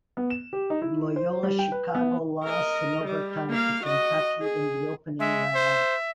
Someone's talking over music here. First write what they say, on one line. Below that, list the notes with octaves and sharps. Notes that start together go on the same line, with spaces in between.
Loyola Chicago lost in overtime to Kentucky in the opening round.
B3
E7
G4
D#4
E4
C5
G3
G5
B4
B3
A#4 D#5
G3
A#3 F5
F#4 D#5
G#4
G#3 E5
C5